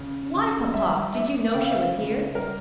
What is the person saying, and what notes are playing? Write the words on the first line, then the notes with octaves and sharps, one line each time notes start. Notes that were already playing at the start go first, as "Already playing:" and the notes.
"Why, papa; did you know she was here?"
Already playing: C#3
C#3
G3 E5
D4 E5
C#3 G5
F5
E5
F5
C#3
G3 A#4